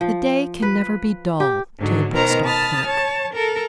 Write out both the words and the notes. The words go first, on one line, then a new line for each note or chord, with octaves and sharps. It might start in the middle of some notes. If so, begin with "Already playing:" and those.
The day can never be dull to the bookstall clerk.
F3
B4
G4
G#2 D3 F#3
B2 D#3 A#4 C5 A#5
A5 B5 D#6 F6 A6
C#5 A5
A4 A#4